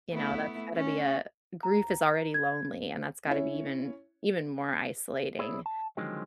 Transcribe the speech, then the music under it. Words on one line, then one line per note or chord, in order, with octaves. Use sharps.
you know? That's gotta be a grief is already lonely, and that's gotta be even even more isolating.
A3 B3 E4
C#4
A#5
G#6
C#4 E4 C#5
E4 G#4 C#5 D5
A5
D3 D#3 F3 F#3 G#3 C4